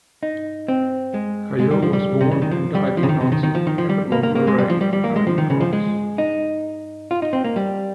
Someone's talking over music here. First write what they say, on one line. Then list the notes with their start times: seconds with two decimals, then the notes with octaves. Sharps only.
Callot was born and died in Nancy, the capital of Lorraine, now in France.
0.23 D#4
0.68 C4
1.14 G#3
1.60 G#3
1.71 G3
1.82 F3
1.93 G3
2.21 C3
2.31 C#3
2.42 D#3
2.51 F3
2.75 G3
2.97 F3
3.03 C#3
3.09 D#3
3.21 C3
3.32 D#3
3.43 D#3
3.55 F3
3.67 D#3
3.78 F3
3.90 G3
4.12 A#3
4.23 A#3
4.35 A#3
4.47 G#3
4.58 G3
4.70 F3
4.81 G3
4.93 G3
5.04 A#3
5.16 G#3
5.27 F3
5.38 D#3
5.50 C#3
5.61 F3
5.73 G#3
6.18 D#4
7.11 F4
7.22 D#4
7.33 C4
7.44 A#3
7.56 G3